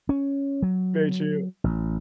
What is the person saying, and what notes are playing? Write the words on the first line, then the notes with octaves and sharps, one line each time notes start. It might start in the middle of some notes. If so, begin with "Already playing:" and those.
Very true.
C#4
F#3
A1